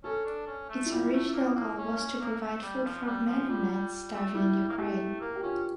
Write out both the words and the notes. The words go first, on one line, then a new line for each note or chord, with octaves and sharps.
Its original goal was to provide food for Mennonites starving in Ukraine.
C#4 A4
D4
C#4
A3
E4
G3 F4
A3
A3
A#3
A#3
C#4
C#4
A#3
A3
G3
F3
G3
F3
G3 F4
G3
G3
A3
G3 E4
A#3
A3 G4
A#3 A#4
G4
C#4 F4